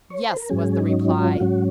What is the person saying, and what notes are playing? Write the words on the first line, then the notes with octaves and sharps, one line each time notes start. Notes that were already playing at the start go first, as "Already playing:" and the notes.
"Yes," was the reply.
C#5
C5
A#4
G#2 F#3 C#4 G#4
D#4
F4
G#2 F#3 C#4 F#4